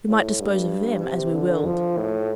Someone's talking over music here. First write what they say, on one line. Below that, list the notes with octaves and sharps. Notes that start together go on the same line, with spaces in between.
We might dispose of them as we willed.
A2
G2
C3
D3
F3
A2